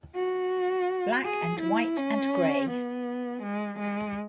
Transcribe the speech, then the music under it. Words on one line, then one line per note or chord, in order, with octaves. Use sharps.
"Black and White and Grey".
F#4
G#4
E4
C#4
B3
G#3
G#3